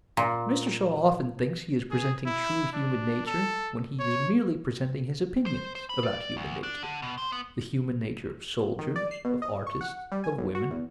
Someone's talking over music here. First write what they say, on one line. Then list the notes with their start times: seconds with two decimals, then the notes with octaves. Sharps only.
Mr. Shaw often thinks he is presenting true human nature when he is merely presenting his opinions about human nature--the human nature of soldiers, of artists, of women.
0.17 A#2
1.91 G#4
2.26 E4
2.73 D4
3.27 A4
3.99 C#5
5.46 C5
5.75 C5
5.89 B5
6.03 D5
6.37 D2
6.63 D4
6.83 D3
7.02 B2
7.18 C5
7.32 B3
8.79 D#3
8.96 D5
9.11 C7
9.25 B2
9.42 D#5
9.67 C#6
9.81 F#5
10.12 G3
10.24 G#5
10.38 B1
10.55 F#4
10.70 E2